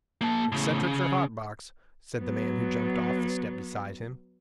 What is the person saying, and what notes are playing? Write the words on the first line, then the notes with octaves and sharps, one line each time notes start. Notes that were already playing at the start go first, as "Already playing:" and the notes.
'Eccentrics or hot-box,' said the man who jumped off the step beside him.
A#3 A5
A2 C#3
C#3
F#3 B3